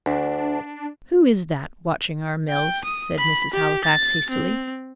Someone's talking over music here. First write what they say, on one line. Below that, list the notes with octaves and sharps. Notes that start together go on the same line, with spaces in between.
"Who is that, watching our mills?" said Mrs. Halifax, hastily.
D2 D4
G5
D#6
B5
G4
A6
C4